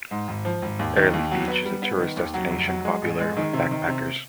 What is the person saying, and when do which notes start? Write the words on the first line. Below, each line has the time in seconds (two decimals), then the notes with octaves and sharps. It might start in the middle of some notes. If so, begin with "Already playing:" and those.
Airlie Beach is a tourist destination, popular with backpackers.
0.11 G#2
0.28 G#1
0.45 F3
0.62 G#1
0.79 D#2
0.96 D#3
1.13 D#2
1.31 F#3
1.48 B3
1.65 G3
1.82 B3
1.99 D#3
2.16 D#2
2.34 F#3
2.51 F1
2.68 F#3
2.85 G#3
3.02 A1
3.20 G#3
3.37 D#3
3.53 C3
3.71 D#3
3.88 C3